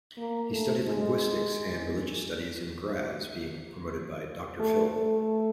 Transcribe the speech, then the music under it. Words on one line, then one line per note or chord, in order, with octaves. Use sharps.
He studied linguistics and religious studies in Graz, being promoted Doctor phil.
A#3
A3
G#3
A3
A3